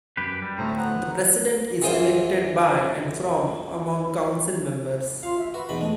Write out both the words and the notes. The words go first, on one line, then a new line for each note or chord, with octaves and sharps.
The President is elected by and from among Council members.
F#2 G4 B4
G3
D2 A2 A3 C4 A#5
B3 F#5 A#5
F#2 E3 F4 G#4 C5
F4 F5
E5
F#4 B4
E2 B2 D#4 B5
G#3 A3